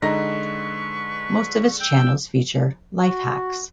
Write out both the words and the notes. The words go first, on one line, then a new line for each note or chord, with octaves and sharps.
Most of its channels feature "life hacks".
D3 G#3 D#4 B4 A#5 C#6 A#6
G5 E6
F#4